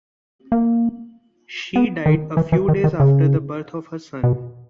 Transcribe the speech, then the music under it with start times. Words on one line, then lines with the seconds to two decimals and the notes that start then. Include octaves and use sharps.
She died a few days after the birth of her son.
0.52 A#3
1.76 B3
2.06 D#3
2.37 E3
2.52 E3
2.68 D#3
2.84 D#3
3.00 C#3
4.24 B2